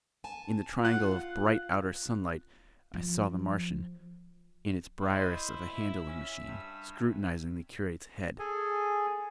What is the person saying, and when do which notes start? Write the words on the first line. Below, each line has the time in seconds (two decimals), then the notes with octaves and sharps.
In the triangle of bright outer sunlight I saw the Martian, in its Briareus of a handling-machine, scrutinizing the curate's head.
0.24 G#5 A5
0.85 F4 F5 F#5 F#6
2.94 F3
5.01 E4 C5 D#5
5.64 E5
6.08 C#4
6.48 G2
8.39 G#4 A4 G#5